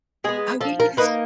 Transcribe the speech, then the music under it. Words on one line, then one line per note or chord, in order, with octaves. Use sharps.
Oh, yes.
G#3 B3 G#4
F3 A4
A#4
A#3 D#4 B4